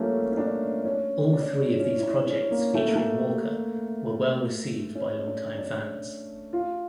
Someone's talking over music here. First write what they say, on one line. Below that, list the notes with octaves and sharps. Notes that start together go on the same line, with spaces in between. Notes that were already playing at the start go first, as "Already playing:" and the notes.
All three of these projects featuring Walker were well received by longtime fans.
Already playing: F3 G3 A3 A#3 C#4
C#4
D4
C#4
D4
C#4
E4
D4
C#4
A#3
A3
A#3
A3
C#4
D4
D4
F4